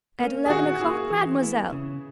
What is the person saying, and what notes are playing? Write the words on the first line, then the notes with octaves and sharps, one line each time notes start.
"At eleven o'clock, mademoiselle?"
A#3 C#4
G#4
D#3 F#4
A#3 E4 G#4
E3
B3 E4
C#3